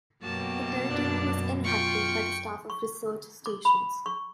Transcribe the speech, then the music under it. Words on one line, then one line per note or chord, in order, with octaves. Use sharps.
The territory is inhabited by the staff of research stations.
F#2 B2 F#3 A#3 F#4 G4 A5
D4
F4 G5 C#6
C#6
D6
B5
C#6